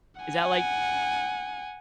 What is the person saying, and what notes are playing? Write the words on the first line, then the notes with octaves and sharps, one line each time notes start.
Is that like
F#5 G#5